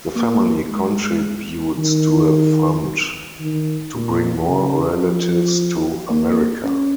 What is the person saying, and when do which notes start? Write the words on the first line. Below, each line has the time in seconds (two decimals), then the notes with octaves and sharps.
The family contributes to a fund to bring more relatives to America.
0.16 A#3
0.69 G#3
1.78 D#3
3.40 D#3
3.94 A#2
4.48 C#3
5.03 F3
6.10 A#3
6.64 C#4